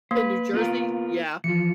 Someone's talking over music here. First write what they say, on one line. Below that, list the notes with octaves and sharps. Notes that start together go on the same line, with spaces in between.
In New Jersey? Yeah.
A#3 B4 C5
B3 F4 A#4
E3 F3 C#7